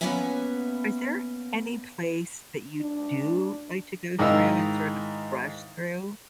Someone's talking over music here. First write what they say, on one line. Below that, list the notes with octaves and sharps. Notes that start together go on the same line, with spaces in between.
is there any place that you do like to go through and sort of rush through?
A#3 B3 C#4 B4 E5 G#5
D4
G#2 D#3 E4 D#5 F5 E6